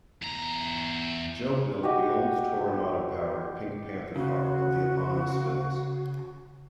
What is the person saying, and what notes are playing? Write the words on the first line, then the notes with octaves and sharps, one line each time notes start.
Joe built the Olds Toronado-powered Pink Panther car of the eponymous films.
E2 A#5
F#4 G4 D#5 G5
C#3 F#4